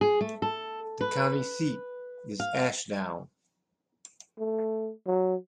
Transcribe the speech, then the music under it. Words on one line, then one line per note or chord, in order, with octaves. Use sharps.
The county seat is Ashdown.
G#4
A3
A4
B4
F5
A3
F#3